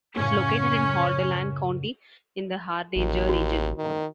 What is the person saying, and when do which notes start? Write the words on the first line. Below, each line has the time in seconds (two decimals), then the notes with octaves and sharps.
It is located in Hordaland county in the Hardanger region.
0.17 F#2 A2 C#3 C#4
2.96 A1 D#2
3.29 F#4
3.77 D#3